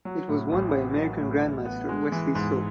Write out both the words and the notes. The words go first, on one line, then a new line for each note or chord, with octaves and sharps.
It was won by American grandmaster Wesley So.
F#3
A2
A1
B3
F#3
A2
A1
B3
G#3
E3
G#2